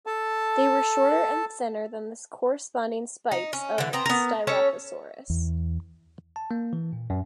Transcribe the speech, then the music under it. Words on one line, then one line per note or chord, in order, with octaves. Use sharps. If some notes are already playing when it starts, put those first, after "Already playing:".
They were shorter and thinner than the corresponding spikes of "Styracosaurus".
A4 A5
D#4
C#4
D3 E3
B3 C4 A#5
B3 A#4
C#4 A4 C#5
E2
A5
A#3
E3
A#2
F#2